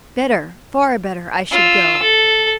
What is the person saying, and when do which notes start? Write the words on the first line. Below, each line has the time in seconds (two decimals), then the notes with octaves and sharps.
Better--far better--I should go.
1.52 F4 E6
2.03 A4